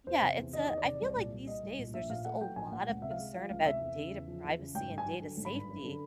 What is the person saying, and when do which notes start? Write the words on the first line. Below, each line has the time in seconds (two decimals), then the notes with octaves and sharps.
Yeah, it's a I feel like these days, there's just a lot of concern about data privacy and data safety
0.07 E2 C5
0.22 C3
0.38 E2
0.53 D#3 D#5
0.66 E2 D#5
0.78 D5
0.85 C3
1.01 C2
1.16 A#2
1.32 C2
1.47 G3 D#5
1.63 C2
1.79 A#2
1.94 A#1 E5
2.09 A#2 F5
2.25 A3 F#5
2.41 F#3 G5
2.56 A#1 G#5
2.72 A#2 F#5
2.88 C#2 F#5
3.02 C3 E5
3.11 F5
3.18 G#3
3.34 F3 F5
3.50 C#2 F5
3.66 C3 E5
3.81 E2
3.97 C#3
4.13 E2
4.28 F3
4.44 E2
4.59 C#3
4.75 G#1 G5
4.91 G2
4.98 G#5
5.06 F#3
5.22 D3
5.37 G#1
5.45 B5
5.53 G2
5.69 F#2
5.84 D3